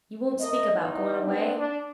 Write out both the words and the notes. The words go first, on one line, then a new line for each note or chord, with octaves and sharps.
You won't speak about goin' away?'
A3 A#4 D#5
E2 D#4
B3 C4 D4
D4